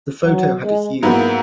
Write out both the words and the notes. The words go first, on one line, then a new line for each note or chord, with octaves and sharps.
The photo had a hue.
F#3
G#3
G#2 F#3 A#3 B3 E4